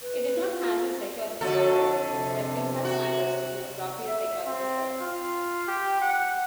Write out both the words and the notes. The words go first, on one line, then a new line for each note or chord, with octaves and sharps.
It did not handle security matters, referring such matters to the appropriate security service.
B4
F4
F2 D3 F#4 A4 C#5
C3
F#4
E5
C4
F4
G4
F#5